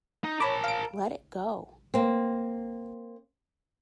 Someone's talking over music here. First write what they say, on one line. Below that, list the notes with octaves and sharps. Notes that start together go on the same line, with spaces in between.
Let it go.
D#4
A#4 C#5 A5 B5 D6
F5 D7
A#3 C4